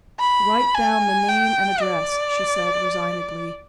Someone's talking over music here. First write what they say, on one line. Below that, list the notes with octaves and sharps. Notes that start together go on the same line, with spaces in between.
"Write down the name and address," she said resignedly.
B5
G#5
G5
D5